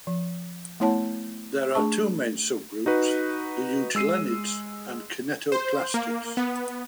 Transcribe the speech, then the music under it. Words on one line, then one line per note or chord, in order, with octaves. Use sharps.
There are two main subgroups, the euglenids and kinetoplastids.
F3
A3 B3 E4 C#5 F#5 A5
A3 D4 G#4 A5 C#6
D#4 F#4 B4
G#3 E6 C7 D#7
C5
A#3
B3